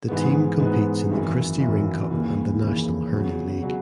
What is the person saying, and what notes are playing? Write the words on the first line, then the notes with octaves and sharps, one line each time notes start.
The team competes in the Christy Ring Cup and the National Hurling League.
G#2 E3 G#3 B3
G#2 E3 G#3 B3
G#1 F#2 E3
G#1 F#2 E3
D#2 C#3 E3
D#2 C#3 E3
E2 C#3 F#3
C#3 F#3